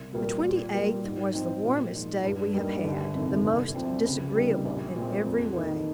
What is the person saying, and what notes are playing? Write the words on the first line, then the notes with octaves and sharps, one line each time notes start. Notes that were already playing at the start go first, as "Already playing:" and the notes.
The twenty-eighth was the warmest day we have had, the most disagreeable in every way.
Already playing: C2
A#2 G3 A#3
A#2
G3 A#3
G#2
F3 C4 D#4
A#2
F3 G#3 D#4
G2
G3 A#3 D#4
G1
F2 C3 D#3
C2
C3 F3 C4
C#2
C3 G3 A#3 D#4
A#1
A#2 G#3 C4
F2
D#3 A#3 D#4